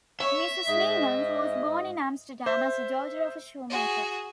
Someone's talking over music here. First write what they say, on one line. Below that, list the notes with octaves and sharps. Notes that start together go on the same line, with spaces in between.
Mrs. Niemans was born in Amsterdam as the daughter of a shoemaker.
C#5 E5
G#2 D#5
C5 E5
F#4 G#4